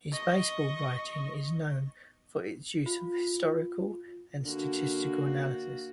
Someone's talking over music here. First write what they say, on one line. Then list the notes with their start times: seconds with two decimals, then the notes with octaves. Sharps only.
His baseball writing is known for its use of historical and statistical analysis.
0.12 D#5 C#6
2.86 F4
4.45 D3 A#3 F#4